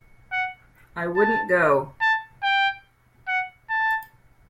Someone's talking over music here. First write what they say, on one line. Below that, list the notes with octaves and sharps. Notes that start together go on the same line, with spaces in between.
I wouldn't go.
F#5
A5
A5
G5
F#5
A5